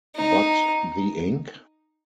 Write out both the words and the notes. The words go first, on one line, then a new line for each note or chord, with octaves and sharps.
But the ink?
D#4